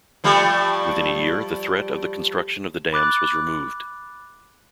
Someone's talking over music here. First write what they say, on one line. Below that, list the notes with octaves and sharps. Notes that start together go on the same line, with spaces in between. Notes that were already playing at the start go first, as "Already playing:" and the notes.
Within a year, the threat of the construction of the dams was removed.
F3 G3 A3
B5 D6 F#6 A6